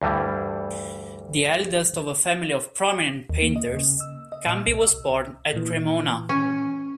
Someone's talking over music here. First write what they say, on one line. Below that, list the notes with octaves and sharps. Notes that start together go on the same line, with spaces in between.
The eldest of a family prominent painters, Campi was born at Cremona.
D2 G2 E3 G3
D#2
A#3
D#5
C#3
E6
D#5
A#2
C2
E6
A#2 E3
C#4